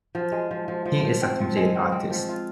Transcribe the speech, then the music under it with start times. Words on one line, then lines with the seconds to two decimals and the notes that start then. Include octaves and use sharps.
He is a complete artist.
0.15 F3
0.32 G#3
0.51 F3
0.68 F3
0.86 F3
1.04 F3
1.22 C4
1.40 F3
1.56 G#3
1.75 C4
1.92 C4
2.10 F3
2.29 F4